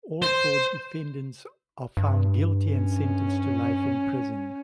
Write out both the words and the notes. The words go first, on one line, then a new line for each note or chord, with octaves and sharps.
All four defendants are found guilty and sentenced to life in prison.
C5
G2
C#4